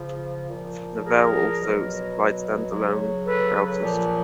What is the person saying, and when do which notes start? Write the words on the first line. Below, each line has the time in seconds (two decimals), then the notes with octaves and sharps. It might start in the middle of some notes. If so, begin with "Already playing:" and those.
Novell also supplied stand-alone routers.
Already playing: C#3 F3
0.48 A#2 F3
1.04 G#4 A#4
1.59 B2 F#3
2.70 C#3 F#3
3.25 A4 B4
3.81 A#2 F3